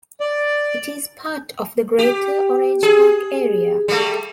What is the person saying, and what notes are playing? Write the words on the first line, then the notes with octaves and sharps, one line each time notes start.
It is part of the greater Orange Park area.
D5
G4
G#4
G3 A3